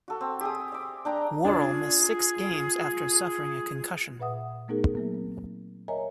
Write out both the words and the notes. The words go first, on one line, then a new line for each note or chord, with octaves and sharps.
Worrell missed six games after suffering a concussion.
F#4 A4
C4
G4 G#4 D#6
E5 D6
D4 G5 A#5
D4 F4 G#4 D5
A#2 B4 E5 F#5 D#6
A3 B3 D#4 G#4 A#4
F#3 A#3 B3
C4
A#4 C#5 D#5 E5 G#5 A#5